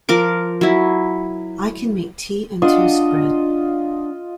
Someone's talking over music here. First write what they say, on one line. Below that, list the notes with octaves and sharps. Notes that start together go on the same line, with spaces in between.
I can make tea and toast bread.
F3 A#4 D6
F#3 E4
D4 F4 D#5 F#5